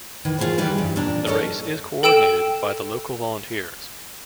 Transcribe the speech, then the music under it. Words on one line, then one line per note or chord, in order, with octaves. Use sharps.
The race is coordinated by the local volunteers.
D#3 E3
F4 G4 G#4 A#4 C5
D#3 E3 G3 G4 B4
G2
A#2 D4 A#5
A4 A#4 C#5 D#5
A4 G5 E6 D7 E7